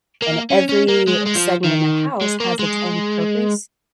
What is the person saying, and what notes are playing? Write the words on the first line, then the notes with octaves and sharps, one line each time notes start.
and every segment of my house has its own purpose,
A#3
C#4
C#4
A#3
G#3
G#3
F3
D#3
G#3
A#3
G#3